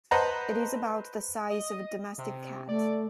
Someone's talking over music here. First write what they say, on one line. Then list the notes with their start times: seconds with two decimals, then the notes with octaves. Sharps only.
It is about the size of a domestic cat.
0.11 B4 C5 D#5 F#5 A5 A#5
1.50 D#5
2.18 C3
2.69 A3 D5